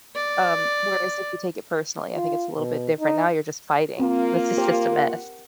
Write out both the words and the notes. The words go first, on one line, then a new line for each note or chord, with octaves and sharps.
Um, whereas, if you take it personally, I think it's a little bit different, now you're just fighting, this is just a mess.
D5
F4
B2
D#4
A#3 C4 F4
G4 C5
A#4 F#5